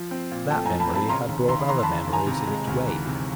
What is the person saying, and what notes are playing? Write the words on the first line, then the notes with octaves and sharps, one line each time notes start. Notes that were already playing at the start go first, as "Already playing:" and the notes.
That memory had brought other memories in its wake.
Already playing: F3
C4
A#2
A3 G5 A5
G#5 A#5
F3
A5 B5
C4 A5 B5
C#3 A#5 C6
D#2
D#2 A#5 C6
B5
E3 A#5 C6
C6
A5 B5
C#3
D#2
G#5 A#5
C3
G#3
D2
E3
C3